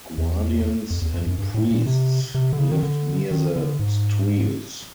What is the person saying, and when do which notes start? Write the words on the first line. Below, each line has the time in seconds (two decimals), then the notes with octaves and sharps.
Guardians and priests live near the Streels.
0.18 E2
0.91 F2
1.02 E2
1.14 F2
1.27 F#2
1.38 G2
1.54 A2
1.71 A#2
1.86 C3
2.35 C3
2.53 D3
2.59 C#3
2.72 D#3
2.83 D3
3.31 D#3
3.56 D3
3.79 G#2